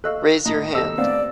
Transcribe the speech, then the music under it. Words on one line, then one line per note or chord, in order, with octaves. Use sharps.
Raise your hand.
A4 D#5 F5 C#6 E6 F#6
A2 D#4
D#2 G4 A4 D#6 E6 A#6
A2 B3 C4 C5 D5 F5